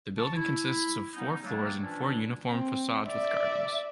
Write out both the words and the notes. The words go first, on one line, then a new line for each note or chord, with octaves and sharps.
The building consists of four floors and four uniform facades with gardens.
A5 C#6
E4
G3 B3 C#4 D#4
D#3 F#3 G3 A3 A#3 D4
A#2 E3 F3 C#4 D4 E4
C4
D5 E5